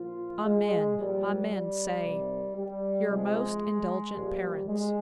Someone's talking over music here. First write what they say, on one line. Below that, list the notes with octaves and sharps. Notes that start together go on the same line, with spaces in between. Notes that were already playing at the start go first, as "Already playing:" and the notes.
Amen, amen, say 'Your most indulgent parents.
Already playing: A#2 F3 F4
G#3
A#2 F3 G3
G3
C3 D#3
G3
C3 F3 G#3
A#2 F3 G3
G#3